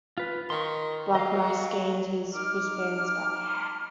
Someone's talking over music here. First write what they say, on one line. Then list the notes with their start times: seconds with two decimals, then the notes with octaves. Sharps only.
Black Mass gained his wristbands back.
0.18 F4 B4
0.50 D#3 C6 C#6
1.15 F#3 D#5 F5
2.34 D#4 D6 F6